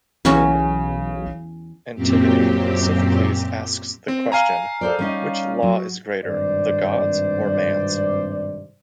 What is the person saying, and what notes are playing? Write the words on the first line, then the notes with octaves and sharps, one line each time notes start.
In "Antigone", Sophocles asks the question, which law is greater: the gods' or man's.
B1 E2 C#3 C#4 F#4
F#2 A#2 C4 G4
C4
F5 G#5 A#5
A4 C5 D5
G3 C#4 D#4
F#3
G#1 G2 C3 C5 D5